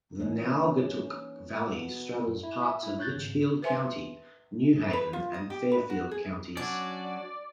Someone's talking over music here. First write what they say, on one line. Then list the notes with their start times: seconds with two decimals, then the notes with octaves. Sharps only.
The Naugatuck Valley straddles parts of Litchfield County, New Haven, and Fairfield counties.
0.20 E3 A#3 C#4 D#4
1.72 B2
2.27 F#2
2.43 E4
2.62 E5
2.83 E4
2.99 C#5 F#6 G6 A6
3.14 G#1 C#3
3.62 B4 C5 E5 G#5 C6
4.93 B4
5.13 F4
5.34 D#5
5.50 G4
5.72 B4
5.90 F#4
6.11 G#4
6.57 F#3 C#4 D4 F#4 D5